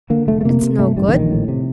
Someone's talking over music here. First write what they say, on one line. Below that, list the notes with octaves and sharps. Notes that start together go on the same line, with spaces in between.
"It's no good."
D3 A#3
F1 A3
A3
C3 A#3
C3
G2 A3
A1 G3
D3
A#1 D#3
A2
C3